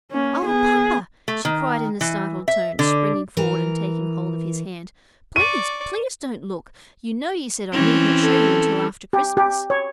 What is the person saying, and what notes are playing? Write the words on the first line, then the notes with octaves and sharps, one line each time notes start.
"Oh! papa," she cried in a startled tone, springing forward and taking hold of his hand, "please, please don't look! you know you said I need not show you until after Christmas."
A#3 C#4
B3 G#4
A3
D#3
E3
E5
D3
E3 A#4
D5 C#6 D#7
E3 C4 C#4
A4
G4
G4
C#5